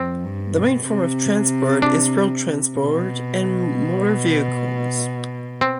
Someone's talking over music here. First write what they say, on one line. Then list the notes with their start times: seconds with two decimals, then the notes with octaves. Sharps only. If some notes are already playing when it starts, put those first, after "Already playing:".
The main form of transport is road transport and motor vehicles.
Already playing: F2 C4
0.24 G2
0.56 B2
0.88 C3
1.82 D4
2.78 B2
5.61 C4